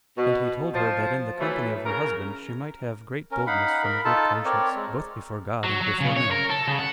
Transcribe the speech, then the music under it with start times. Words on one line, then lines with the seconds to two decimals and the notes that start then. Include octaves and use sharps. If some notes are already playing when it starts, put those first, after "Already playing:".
And he told her, that in the company of her husband she might have great boldness from a good conscience, both before God and before men.
0.18 B2
0.74 F3 C5
1.40 E3 F#3 A3
1.86 C#3 A#4
3.31 C#4 A#4
3.47 D#4 F5 F#5 B5
3.83 A#4 B5
4.05 D#4 F4 A4 A5
4.45 C4 A#4 C#5 D5
4.75 G#3
5.64 F#3
5.81 F#3
6.00 C#3
6.17 C#5
6.31 A#4
6.50 A4
6.67 C#3
6.79 F#5